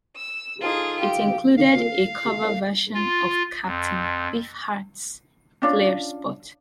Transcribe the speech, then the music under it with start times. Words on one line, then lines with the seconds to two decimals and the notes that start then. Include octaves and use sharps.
It included a cover version of Captain Beefheart's "Clear Spot".
0.16 E6
0.61 D#4 F4 G#4 A4 C5
1.00 F4 G4
1.57 F5
2.94 F4
3.66 F2
5.62 C#4 D4 F4